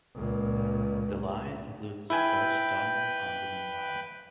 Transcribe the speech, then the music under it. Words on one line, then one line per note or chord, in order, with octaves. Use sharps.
The line includes the first tunnel under the Nile.
C#2 A#2
E4 B4 G5 G#5